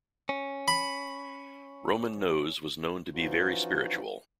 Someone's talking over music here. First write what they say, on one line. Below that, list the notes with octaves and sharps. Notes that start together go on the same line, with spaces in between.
Roman Nose was known to be very spiritual.
C#4
B5
E3 F3 C#4 D#4 F4 F#4